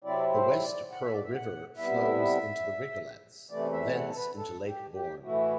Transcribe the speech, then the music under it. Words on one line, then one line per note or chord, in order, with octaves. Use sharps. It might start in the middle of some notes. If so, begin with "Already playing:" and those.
The West Pearl River flows into The Rigolets, thence into Lake Borgne.
C3 F#3 C4 E4 D5
C5
D5
F#5
E5
D5
E5
F#5
C3 G3 B3 E4 E5
E2 C3 E3 A3 D5
E5
F#5
A4
B4
A4
G4
G4
A2 E3 A3 E4 F#4